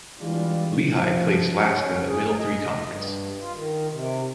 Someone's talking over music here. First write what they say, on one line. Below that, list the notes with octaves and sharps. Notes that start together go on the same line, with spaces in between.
Lehigh placed last in the Middle Three Conference.
E3 G3 G#3 D4 F4
F3
C#4
G#4
D#5
G2
F4
D#3
C3